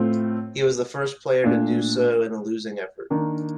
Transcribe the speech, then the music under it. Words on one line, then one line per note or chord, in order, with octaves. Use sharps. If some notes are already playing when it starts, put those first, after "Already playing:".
He was the first player to do so in a losing effort.
Already playing: A2 A3 C4 F4
A#2 A3 D4
D#3 A#3 D4